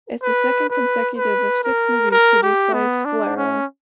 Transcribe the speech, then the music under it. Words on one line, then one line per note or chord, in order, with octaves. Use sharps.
It’s the second consecutive of six movies produced by “Scalera”.
B4
B4
B4
A#4
A#4
G4
B3
D4
C#4